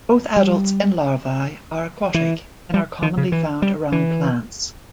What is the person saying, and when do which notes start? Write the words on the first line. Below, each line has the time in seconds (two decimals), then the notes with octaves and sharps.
Both adults and larvae are aquatic, and are commonly found around plants.
0.36 G3
2.14 E3
2.74 G3
3.02 D#3
3.17 C#3
3.32 E3
3.62 G3
3.92 E3